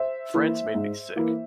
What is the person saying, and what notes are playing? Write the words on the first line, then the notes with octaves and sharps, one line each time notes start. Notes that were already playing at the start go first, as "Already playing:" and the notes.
France made me sick.
Already playing: C5 E5
E3 A#3 E4
G#2
E3 A#3 E4